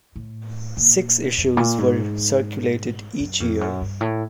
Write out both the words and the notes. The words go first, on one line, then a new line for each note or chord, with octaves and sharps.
Six issues were circulated each year.
A2
A#2
F2
A#2
G#2
F#2
F2
F#2
G2
A2